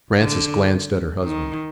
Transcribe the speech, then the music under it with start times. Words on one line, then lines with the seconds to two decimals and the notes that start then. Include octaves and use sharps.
Francis glanced at her husband.
0.20 D3
1.25 D#3